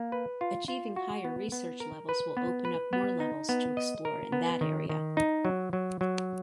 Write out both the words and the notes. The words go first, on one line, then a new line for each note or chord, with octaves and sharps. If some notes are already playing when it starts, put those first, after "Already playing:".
Achieving higher research levels will open up more levels to explore in that area.
Already playing: A#3
B4
F4
F4
F#4
B3
B3
A#4
B4
B3
B4
B3
D#4
B3
D#5
A#4
B3
D#3
D#3
D#4
F#3
F#3
F#3